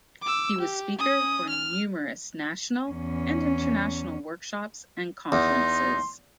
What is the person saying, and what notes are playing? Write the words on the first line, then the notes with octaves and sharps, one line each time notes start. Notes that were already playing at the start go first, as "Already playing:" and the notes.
He was speaker for numerous national and international workshops and conferences.
D6 E6
G4
C#4 D#6
F6
E2 C#4
E2 D#4 C6